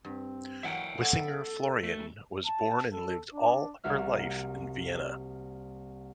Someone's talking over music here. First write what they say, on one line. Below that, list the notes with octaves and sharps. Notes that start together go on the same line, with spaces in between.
Wisinger-Florian was born and lived all her life in Vienna.
G2 C4
E3 F#3 A#3 E5 F#5 G5
B3 C#4 A4
A3
A5
A4
D4
C2 A#3 F#4 E5 F6